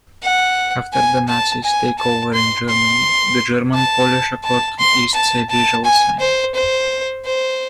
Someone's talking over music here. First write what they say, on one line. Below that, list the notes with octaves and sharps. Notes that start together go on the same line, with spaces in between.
After the Nazis' takeover in Germany, the "German-Polish Accord on East Silesia" was signed.
F#5
G#5
A5
G#5
A5
C6
C6
A5
A5
C6
A5
A5
G#5
C5
C5
C5